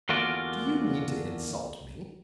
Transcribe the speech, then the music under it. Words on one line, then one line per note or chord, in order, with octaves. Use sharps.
"Do you mean to insult me?"
E2 D3 A#3 F4 F#4 D5